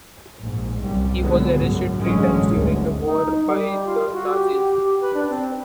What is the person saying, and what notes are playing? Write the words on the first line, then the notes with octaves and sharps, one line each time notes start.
He was arrested three times during the war by the Nazis.
A#1 G#2
C2 F#2 G3
A#2 D3 F#3 G#3 B3
G1 F#2 A2
A1 F#2 D3 F#3 G#3 C#4
G1 D2
D#4
G3
F4
F#4
G4
B4
D4
C4